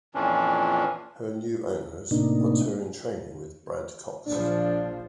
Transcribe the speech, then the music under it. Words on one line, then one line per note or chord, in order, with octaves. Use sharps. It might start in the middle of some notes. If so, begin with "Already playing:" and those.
Her new owners put her into training with Brad Cox.
F2 A#2 E3 C#4 D4
A2 C3 A#3 D4 D#4
A#1 F3 D4